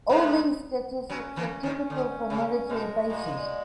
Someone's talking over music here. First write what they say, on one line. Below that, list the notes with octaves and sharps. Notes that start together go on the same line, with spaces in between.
All these statistics are typical for military bases.
G#2 G#3
F#2 F#3 C#4
E2 E3
D#2 D#3
D3
C#3
B2 G#3
A#2